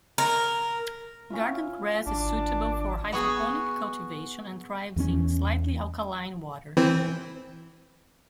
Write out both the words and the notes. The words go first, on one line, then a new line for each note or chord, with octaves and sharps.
Garden cress is suitable for hydroponic cultivation and thrives in slightly alkaline water.
A#4
C#4 E4 F4
G#1 D4
B3 F#4 G#4
E2 E3 B3 C#4
E3 C4